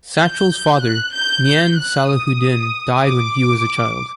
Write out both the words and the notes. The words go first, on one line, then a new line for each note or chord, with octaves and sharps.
Sachal's father Mian Salahuddin died when he was a child.
G6
F#6
G6
G6
F#6
D#6
D6